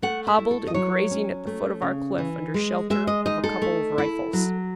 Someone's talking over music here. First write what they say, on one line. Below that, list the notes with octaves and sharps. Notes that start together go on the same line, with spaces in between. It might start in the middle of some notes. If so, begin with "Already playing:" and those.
"Hobbled, and grazing at the foot of our cliff under shelter of a couple of rifles."
A3 F#5
E5
E4
A4
D#5
F#3 C#5
C#4
A3
C#3
E3
G#3
G#3 E5
D#5
D#4 D#5
A4
A3
E4
F#3